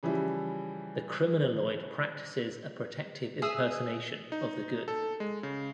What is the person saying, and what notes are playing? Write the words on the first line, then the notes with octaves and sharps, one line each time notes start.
The criminaloid practices a protective impersonation of the good.
C#3 E3 F3 G3 E4
G#4 E5 D#6 E6
D#4
A4
G#3
C#3